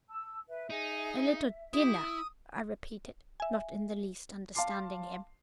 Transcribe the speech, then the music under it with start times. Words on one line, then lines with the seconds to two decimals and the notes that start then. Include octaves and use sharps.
"A little dinner?" I repeated, not in the least understanding him.
0.08 A5 E6
0.48 B4 E5
0.70 D#4 G#4
1.74 E4 G4 D#6
2.03 E6
3.40 E5 G#5
4.55 F5 A5 C6 D6 C7